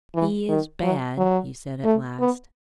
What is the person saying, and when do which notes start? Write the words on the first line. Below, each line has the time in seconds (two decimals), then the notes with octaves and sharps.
"He is bad," he said at last.
0.15 E3
0.49 D#3
0.83 F#3
1.17 F#3
1.84 A3
2.19 B3